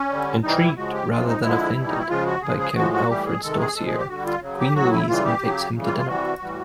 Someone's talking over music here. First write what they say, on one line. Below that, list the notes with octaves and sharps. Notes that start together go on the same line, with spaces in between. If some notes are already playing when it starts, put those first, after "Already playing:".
Intrigued rather than offended by Count Alfred's dossier, Queen Louise invites him to dinner.
Already playing: C#4
D3 G3
C3 E3 G3 D#4
E4
C#3 F3 G#3 F#4
G4
C3 F3 G#3 F4
D#4
D3 F3 G#3 E4
B2 G3
D#4
E4
C#3 F3 G#3 F4
F#4
C#3 F3 G#3 G#4
G#4
A2 F3 G#3 F#4
F#4
A2 E3 G3 G4
G#4
C3 D#3 G#3 A4
G#4
A#2 F3 G#3 A4
G#4
G4
D3 G3 F#4
F4
C#3 F#3
G4
A2 F#3 F#4
E4
C#3 E3 G3 F4
G4
C#3 F#3
C#3 E3 G3
F4
F4
C3 E3 G3 F#4
A2 E3 G3